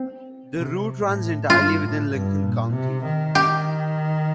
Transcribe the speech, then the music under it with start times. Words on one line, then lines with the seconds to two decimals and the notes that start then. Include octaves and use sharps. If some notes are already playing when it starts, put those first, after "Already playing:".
The route runs entirely within Lincoln County.
Already playing: C4
0.57 C3
1.03 A2
1.49 G2 F4
1.81 A2
2.11 G2
2.43 A#2
2.73 C3
3.04 D#3
3.35 G4